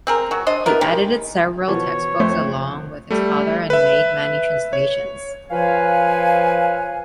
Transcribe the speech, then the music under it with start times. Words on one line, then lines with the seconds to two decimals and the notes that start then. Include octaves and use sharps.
He edited several textbooks along with his father and made many translations.
0.07 C4 G#4 A#4
0.31 F#3 F#4
0.47 D4 C5 D#5
0.66 B3 D4 E4 A#4
0.81 D#3 G3 G#3
1.68 B2 E3 F3 C#5
2.20 F2 A3 C5
3.10 G3 A3
3.70 B4 E5
4.73 C#5
5.51 F3 F4 B4 C#5 F5 G#5